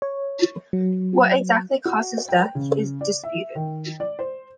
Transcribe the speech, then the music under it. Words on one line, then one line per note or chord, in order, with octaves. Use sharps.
What exactly caused his death is disputed.
C#5
F#3
F#4
G5
C#3
D5
E5
D#3
D5
C5